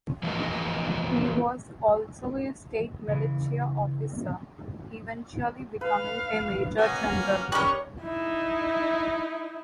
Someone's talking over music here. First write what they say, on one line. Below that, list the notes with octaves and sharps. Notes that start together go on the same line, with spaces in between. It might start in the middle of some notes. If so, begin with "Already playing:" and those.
He was also a State militia officer, eventually becoming a major general.
E3 F3 A#3 F#4 A#4 D#5
C#3 E3
B4 F5
A#3 C#4 F#4 D#5 G#5
F6
G3 C#4 D#4 A#4 C#5 C#6 F#6
D#4 E4